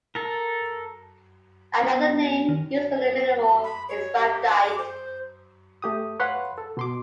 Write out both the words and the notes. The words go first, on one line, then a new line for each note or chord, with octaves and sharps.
Another name used for the mineral is rhabdite.
A4 A#4
B3
D#3
B5
C#5
G4
D6
C5
A3 G4 D#6
B4 C#5 F5 F#5 B5 C6
A4
B2 C6 D6